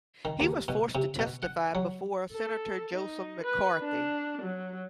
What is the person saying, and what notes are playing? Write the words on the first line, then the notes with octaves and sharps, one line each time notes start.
He was forced to testify before Senator Joseph McCarthy.
D#3
D#2
B2
C3
B2
F#5
F#3
A4
D#4
B4
D4
F#3